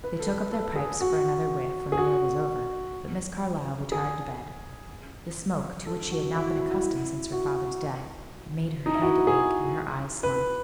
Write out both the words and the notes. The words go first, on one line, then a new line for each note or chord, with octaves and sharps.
They took up their pipes for another whiff when the meal was over, but Miss Carlyle retired to bed; the smoke, to which she had not been accustomed since her father's death, had made her head ache and her eyes smart.
B4
A4
B4
A4
G#4
F#4
G#4
F#4
G#4
A4
F#4
E4
F#4
E4
F#4
E4
F#4
D#4
E4
F#4
G#4
B4